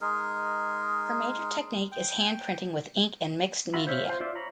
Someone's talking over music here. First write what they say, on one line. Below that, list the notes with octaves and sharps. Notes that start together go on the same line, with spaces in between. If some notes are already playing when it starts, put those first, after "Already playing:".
Her major technique is hand printing with ink and mixed media.
G#3 D#4 G#4 A#4
G5
F4 F#4 E5 B5
C5 C#5 E5 F5
F4 C5
F4 D5 E5
C#5 A#5 B5